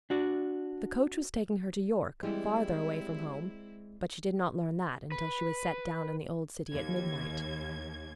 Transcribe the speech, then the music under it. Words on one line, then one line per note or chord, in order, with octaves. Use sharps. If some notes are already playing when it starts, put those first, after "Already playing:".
The coach was taking her to York, farther away from home; but she did not learn that until she was set down in the old city at midnight.
D4 F#4 D5
E3 G3 G#3 C4 E4
B4
D#2 G#6